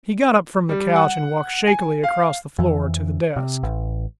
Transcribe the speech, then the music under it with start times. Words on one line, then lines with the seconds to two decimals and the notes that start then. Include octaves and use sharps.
He got up from the couch and walked shakily across the floor to the desk.
0.69 G3
0.96 F#5
1.67 G#5
2.04 F5
2.59 F2 E3
3.36 C3
3.63 A1